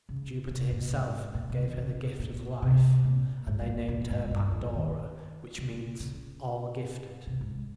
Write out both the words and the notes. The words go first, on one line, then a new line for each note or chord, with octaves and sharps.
Jupiter himself gave her the gift of life, and they named her Pandora, which means "all-gifted."
C#3
C3
A#2
G#2
A#2
C3
D#3
C#3
A#2
C3
A#2
G#2
A#2
A#2
G#2
G2
F2
D#3
C#3
C#3
C3
G#2